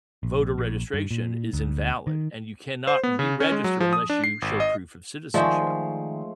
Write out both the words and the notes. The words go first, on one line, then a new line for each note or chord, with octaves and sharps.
voter registration is invalid, and you cannot reregister unless you show proof of citizenship
A#1
A#1
G2
A#2
D2
D#3
C5
B3
C#3
C#4
G#3
F#3
F3
D#6
D4
C7
G#1
D#5
D#3 F3 G#3 A3 C5 D5 E5